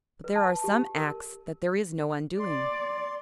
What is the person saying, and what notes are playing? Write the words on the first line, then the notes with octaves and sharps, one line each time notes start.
But there are some acts that there is no undoing.
B4
A5
G4
A#4
D5 C6